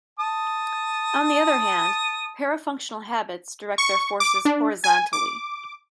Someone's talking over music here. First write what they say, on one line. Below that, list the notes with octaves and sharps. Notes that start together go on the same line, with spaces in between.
On the other hand, parafunctional habits direct their forces horizontally.
A5 D#6
C#6
D6
D4
G#5
D6